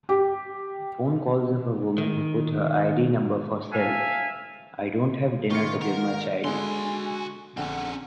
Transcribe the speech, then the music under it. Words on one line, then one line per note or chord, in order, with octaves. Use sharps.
Phone calls of a woman who put her ID number for sell, I don’t have dinner to give my child!
G4
D#3
A4 E5 F5 G#5
D#3 A#3 F4 C#6 C#7
A#4 F#5 A#5
D3 G#3 F#4 G#5 C6
A#1 D3 C4 C#4 F#5